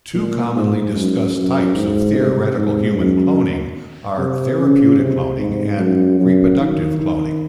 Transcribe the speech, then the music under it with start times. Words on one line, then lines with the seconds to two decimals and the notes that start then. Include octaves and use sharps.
Two commonly discussed types of theoretical human cloning are "therapeutic cloning" and "reproductive cloning".
0.14 A#2
0.55 G#2
0.95 F#2
1.36 F#2
1.75 G#2
2.16 C3
2.56 G#2
2.97 F#2
4.18 C3
4.58 C#3
4.99 C3
5.39 G#2
5.79 F#2
6.20 F#2
6.60 D#3
7.00 D#3